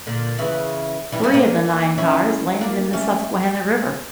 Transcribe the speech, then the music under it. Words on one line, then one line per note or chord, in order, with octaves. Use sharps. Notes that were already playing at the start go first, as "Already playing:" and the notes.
Three of the nine cars landed in the Susquehanna River.
A#2 D3
C#3 E3
E3 G3
G3 A#3
A#3 D4
C#4 E4
A#3 D4
A3 C#4